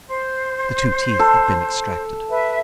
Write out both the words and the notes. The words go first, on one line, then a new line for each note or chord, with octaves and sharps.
The two teeth had been extracted.
C5
A4
B4 E5